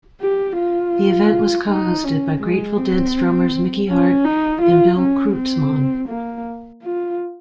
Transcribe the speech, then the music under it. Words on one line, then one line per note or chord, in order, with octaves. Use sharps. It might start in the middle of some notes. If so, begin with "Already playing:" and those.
The event was co-hosted by Grateful Dead drummers Mickey Hart and Bill Kreutzmann.
G4
F4
D#4
C#4
G#3
C4
C#4
D#4
F4
C#4
C4
A#3
F4